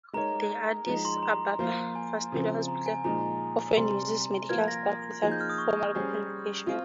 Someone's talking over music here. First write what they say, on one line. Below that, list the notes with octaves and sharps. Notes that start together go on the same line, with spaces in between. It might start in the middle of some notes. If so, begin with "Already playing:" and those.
The Addis Ababa Fistula Hospital often uses medical staff without formal qualifications.
G#3 D#4 A#4 C#5 A#5
F3 G#3 D#4 A#5
C6
A#5
F3 A#3 F4 C5
G#5
C#3 F3 C4
A#5
G#5
A#2 F3 G#3 D#4 A#5
C3 G3 C4 C6
F3 A#3 F4 A#4 G#6
A#6
F3 A#3 D#4 G#4 G#6
G6
F6
D#6
C#6
G3 C#4 G#4 C5
C4 F4